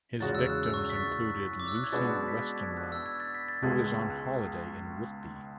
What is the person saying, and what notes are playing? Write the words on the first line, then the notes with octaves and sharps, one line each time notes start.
His victims included Lucy Westenra, who is on holiday in Whitby.
E2 C#3 G#3 C#4 F#4 A6
E6
F#6
E6
C#6
B6
A6
D6
E6
F#6
G#6
B2 G#3 B3 D4 F#4 A6
B6
A6
G#6
F#6
E6
G#6
A6
B6
A6
C#2 B2 G#3 G#6